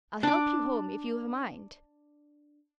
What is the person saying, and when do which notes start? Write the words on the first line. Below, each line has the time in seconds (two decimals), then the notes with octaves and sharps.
"I'll help you home if you've a mind."
0.23 D4 D6